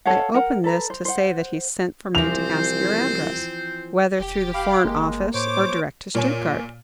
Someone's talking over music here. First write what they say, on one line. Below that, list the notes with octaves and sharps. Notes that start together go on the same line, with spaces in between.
I open this to say that he sent for me to ask your address,--whether through the Foreign Office, or direct to Stuttgard.
A4 C#5 F5 F#5
A#4 F#5
A4 B4 A#5
C5
C5 F#5
C2 E3 F3 C4 C5 F7
E1 G4
F5 B5 D6
F#1 G#3 A#3
A2 C5 C#5 D6
A#2 C#5 G#5